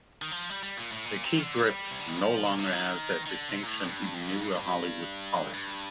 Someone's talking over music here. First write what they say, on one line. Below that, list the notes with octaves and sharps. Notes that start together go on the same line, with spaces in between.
The key grip no longer has that distinction in newer Hollywood policy.
D#3
F3
G3
G3
A#2
A2
A#2
C3
D#3
D3
G3
C3
D3
D#3
F3
A#2
C3
D3
D#3
D#3
D3
C3
A#2
A2
G2
F2
G2
G2